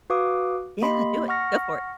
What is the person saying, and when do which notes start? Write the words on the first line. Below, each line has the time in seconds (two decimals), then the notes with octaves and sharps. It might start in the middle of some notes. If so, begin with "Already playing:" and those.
Yeah, do it. Go for it.
0.10 F#4 B4 F5 D6 D#6
0.82 A#3 G4 D#5 B5 C6
1.28 F#5 C#6 F6 A#6